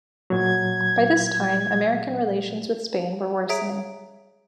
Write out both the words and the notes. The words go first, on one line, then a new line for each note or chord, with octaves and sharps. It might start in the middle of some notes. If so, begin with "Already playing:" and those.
By this time, American relations with Spain were worsening.
A#2 F#3 G#6
G#4 C#5 E5 A#5 D#6 D7